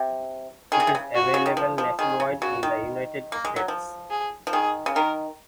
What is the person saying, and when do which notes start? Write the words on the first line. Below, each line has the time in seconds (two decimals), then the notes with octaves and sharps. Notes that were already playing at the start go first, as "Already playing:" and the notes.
It is available nationwide in the United States.
Already playing: C3
0.72 D#3 G#4
0.80 C#3
0.87 C3
0.95 C#3
1.14 F#4
1.34 C#3
1.46 D#3
1.57 F3
1.78 F3
1.99 D#3 G#4
2.20 C#3
2.42 C#3 F#4
2.63 D#3
3.32 A#3
3.45 G#3
3.56 F#3
3.68 F3
4.10 G#4
4.47 F3
4.53 D#3 G#4
4.86 C#3
4.95 D#3 A#4